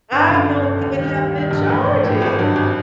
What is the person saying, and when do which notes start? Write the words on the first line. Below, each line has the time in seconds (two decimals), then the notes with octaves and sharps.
I don't even have to charge it!
0.12 G1
0.29 F#2 D3
0.47 G1
0.64 F#2 D3
0.81 D#2
0.99 D#3 G3
1.16 D#2
1.35 D#3 G3
1.51 A#1
1.69 A2 E3
1.86 A#1
2.03 A2 E3
2.22 G#1
2.38 G2 D#3 F#3
2.56 G#1